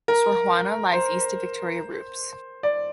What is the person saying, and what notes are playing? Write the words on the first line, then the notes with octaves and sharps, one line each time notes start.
Sor Juana lies east of Victoria Rupes.
A#4
C5
D5